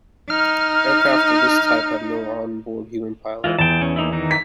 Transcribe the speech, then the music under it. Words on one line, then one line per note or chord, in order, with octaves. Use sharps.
Aircraft of this type have no onboard human pilot.
D#4 F6
E3 G#3 F4
E2 G5 A5
C#4
A#3 D#4 E4
D#3 E3 D#4
B6